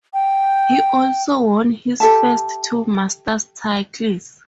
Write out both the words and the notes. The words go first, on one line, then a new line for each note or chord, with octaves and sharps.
He also won his first two Masters titles.
G5
G4 A4 E5 A5